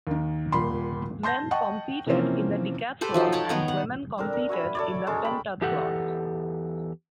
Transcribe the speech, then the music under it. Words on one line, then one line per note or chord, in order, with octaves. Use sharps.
Men competed in the decathlon and women competed in the pentathlon.
D#2 D#3
D#1 A#2 B5 C6
A5 C6 G6 A#6
D#5 F#5 G5 A5 C#6
C3 E3 F3 A#3 C4 C#4
G4 A4 B4 C5
F3 F#3 D#4
C#5 F#5 G5 A5
D#3 B3 A#5
F#5
C4 D4 A4 A#4
A#4
F#4 E5 G#5 B5
A4 C#5 D5
G#3 C#4 A4 D6
G5 B5
E2 G4 A4 F#5